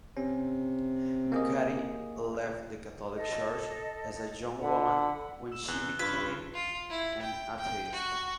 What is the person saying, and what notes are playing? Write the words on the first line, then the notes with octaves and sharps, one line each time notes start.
McCarthy left the Catholic Church as a young woman when she became an atheist.
C3 C#4
A#3 G#4 D#5
A4 D#5
D3 F#5 B5
E6 E7
E2 F#6 G7
G2 F4 B4 F6 G#6
F4
E4
G5
G5
F#4